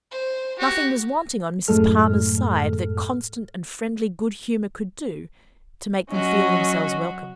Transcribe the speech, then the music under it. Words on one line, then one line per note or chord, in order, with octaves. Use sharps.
Nothing was wanting on Mrs. Palmer's side that constant and friendly good humour could do, to make them feel themselves welcome.
C5
F#4 G4
F#2 A2 G#3 A3 A4 F6
F#3 C#4 F#4 D#5